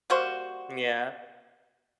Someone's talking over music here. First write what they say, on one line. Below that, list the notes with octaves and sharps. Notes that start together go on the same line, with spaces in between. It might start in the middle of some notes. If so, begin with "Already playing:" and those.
Mm, yeah.
G3 A#3 F#4 C5